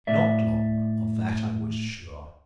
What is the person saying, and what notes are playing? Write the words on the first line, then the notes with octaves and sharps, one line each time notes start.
Not long; of that I was sure.
A2 D5 E5